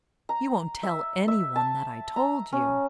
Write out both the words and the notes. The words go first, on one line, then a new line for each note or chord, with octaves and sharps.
"You won't tell any one that I told you?"
A#5
E5
E5
A5
A#5
C#4